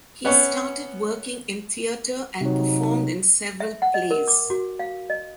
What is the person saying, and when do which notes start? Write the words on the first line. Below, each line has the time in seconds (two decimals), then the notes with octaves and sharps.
He started working in theatre and performed in several plays.
0.25 B3 C#4 C#5
2.41 C3 F#3 D#4
3.60 E5
3.82 F#5
3.94 D#5
4.11 A#4
4.28 D6
4.50 F#4
4.79 F5
5.10 D#5